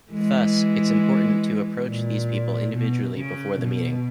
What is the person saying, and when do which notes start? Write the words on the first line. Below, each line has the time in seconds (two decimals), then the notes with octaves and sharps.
Thus, it's important to approach these people individually before the meeting.
0.11 E3 G#3
1.86 A#2
2.74 B2
3.17 C#3
3.61 B2